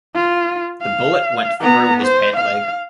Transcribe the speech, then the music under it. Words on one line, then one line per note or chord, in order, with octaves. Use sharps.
The bullet went through his pant leg.
F4
F5
B3 A#5
C5
F5